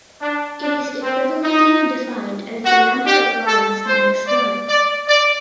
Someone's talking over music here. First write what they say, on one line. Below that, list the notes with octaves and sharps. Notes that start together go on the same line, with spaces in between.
It is equivalently defined as the number of runs minus one.
D4
D4
C4
D#4
F#4
G4
A4
C5
D5
D5
D5